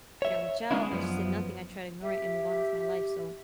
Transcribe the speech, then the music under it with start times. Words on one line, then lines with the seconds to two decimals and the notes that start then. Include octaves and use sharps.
reach out, I just did nothing, I tried to ignore it and move on with my life, so,
0.22 C#5 E5
0.71 G#3 B3 C#4 D4 E4
0.91 F#2 F3 B3
2.03 G4 E5